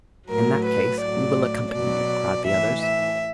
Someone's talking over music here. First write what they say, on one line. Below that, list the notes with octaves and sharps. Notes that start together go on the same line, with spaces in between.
"In that case we will accompany you," cried the others.
A2 F#3 A#4
B4
A2 F#3 D5
B2 F#3 D5
A2 E3 E5
E5